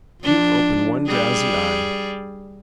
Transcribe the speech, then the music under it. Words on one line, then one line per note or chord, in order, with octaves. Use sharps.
Duke opened one drowsy eye.
F3 D4
G3 G#4